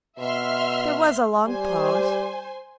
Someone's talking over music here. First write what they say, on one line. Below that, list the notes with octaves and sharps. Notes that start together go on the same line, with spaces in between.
There was a long pause.
B2 E5 C6 F6
G3 C5 G#5 C6